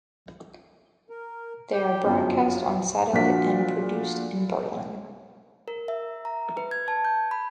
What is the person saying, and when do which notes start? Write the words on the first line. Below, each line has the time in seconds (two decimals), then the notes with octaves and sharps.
They are broadcast on satellite and produced in Berlin.
1.10 A#4
1.73 G4 G5
2.04 G1 F#2 F3
3.13 A#2 F3 D4 F#4 B6
5.68 A#4
5.88 E5
6.25 A#5
6.57 B4
6.71 G#6
6.88 A5
7.05 G6
7.31 B5